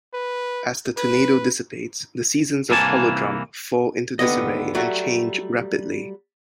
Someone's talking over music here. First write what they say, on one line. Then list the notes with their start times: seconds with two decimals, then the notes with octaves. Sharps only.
As the tornado dissipates, the seasons of Holodrum fall into disarray and change rapidly.
0.14 B4
0.98 B4
2.70 C2 E3 A#3 G#5 A5
4.19 D#2 D3 B3 D#5
4.75 F#3 G3 A3 F#4